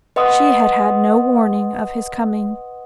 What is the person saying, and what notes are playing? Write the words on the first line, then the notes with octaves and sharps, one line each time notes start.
She had had no warning of his coming.
B4 D#5 F#5 C6 D#6